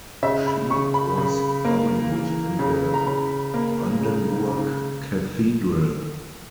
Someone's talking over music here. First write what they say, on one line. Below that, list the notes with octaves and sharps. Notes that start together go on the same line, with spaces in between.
She was buried in the Brandenburg Cathedral.
C#3 E5
B5
C#3 C#6
B5
C#3
A#3
E3
C#3
A#5
C#3 B5
A#3
C#3
C#3